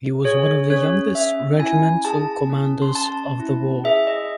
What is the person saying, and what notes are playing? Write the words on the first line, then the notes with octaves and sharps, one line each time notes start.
He was one of the youngest regimental commanders of the war.
G#4 C#5
C#4 C#5
C#4 E5
E4 G#5
G#4 A5
C#4
C6
C#4 A5
E4
G#4 E5
D#5